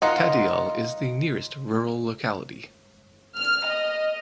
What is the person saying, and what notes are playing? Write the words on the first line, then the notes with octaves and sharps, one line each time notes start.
Tadiyal is the nearest rural locality.
D#4 F4 A#4 F#5
F6
D#5